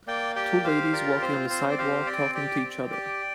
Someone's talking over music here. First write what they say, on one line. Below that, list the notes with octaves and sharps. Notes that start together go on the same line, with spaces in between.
Two ladies walking on the sidewalk talking to each other.
A#3 D5 G5
G4 D5 G5
G4 C5 F5
F4 A#4 D5
C4 C5
C4 C5
D5
G4 C5 F5
C4 D5 G5
G4 D5 G5
C4
G4